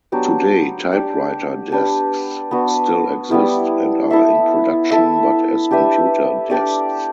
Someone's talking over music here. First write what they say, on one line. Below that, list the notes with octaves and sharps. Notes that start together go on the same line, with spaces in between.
Today, typewriter desks still exist, and are in production but as computer desks.
F#3 B3 D4 G4
D4 G4 D5
D4 G4 B4
B3 D4 F#4 B4
G3 B3 E4
E4 A4 E5
E4 A4 E5
D4 G4 B4 E5
D4 G4 D5